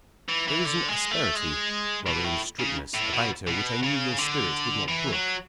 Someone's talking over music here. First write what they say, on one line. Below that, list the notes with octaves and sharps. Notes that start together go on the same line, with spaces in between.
There is an asperity, rather than strictness, about her which I knew your spirit would not brook.
E3
E3
D3
G#3
A3
G#3
B2
A2
C#3
A2
B2
B2
C#3
D3
E3
F#3